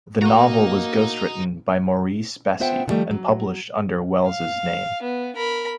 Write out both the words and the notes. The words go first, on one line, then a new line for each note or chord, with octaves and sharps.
The novel was ghostwritten by Maurice Bessy and published under Welles's name.
A#3 F#4 D#5 A#5
B3 F4 C5 E5 F#5 G5
D3 D#3 F3 G3 A3
F#3
F5
B3
A#4 B5